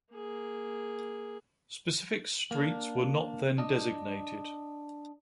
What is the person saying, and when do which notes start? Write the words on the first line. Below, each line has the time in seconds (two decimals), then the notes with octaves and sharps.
Specific streets were not then designated.
0.14 A#3 G#4
2.51 A#3 D4
3.58 D4 D#5